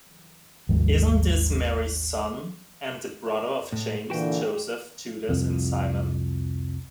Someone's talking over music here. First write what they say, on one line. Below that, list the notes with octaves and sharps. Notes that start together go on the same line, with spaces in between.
Isn't this Mary's son and the brother of James, Joseph, Judas and Simon?
G#1 D#2 G#2 F3
A2
A#2 D3 E3 F#4 G5
C2 F2